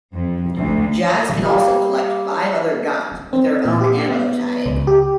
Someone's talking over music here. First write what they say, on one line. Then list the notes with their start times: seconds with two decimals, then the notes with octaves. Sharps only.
Jazz can also collect five other guns with their own ammo type.
0.13 F2
0.55 D2
1.45 G3 A#3
3.33 C4
3.65 A#2
3.81 G4
4.08 B3
4.66 C#2
4.87 G4